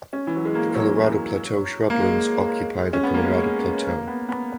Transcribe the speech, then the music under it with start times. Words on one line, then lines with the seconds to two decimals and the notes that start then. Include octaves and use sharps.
The Colorado Plateau shrublands occupy the Colorado Plateau.
0.13 C#4
0.27 E3
0.36 F#3
0.45 G#3
0.55 A#3
0.69 G#3
0.75 F#3
1.90 A#3
2.00 G#3
2.93 C#4
3.03 B3
3.14 A#3
3.25 G#3
3.87 A#3
4.07 B3
4.29 B3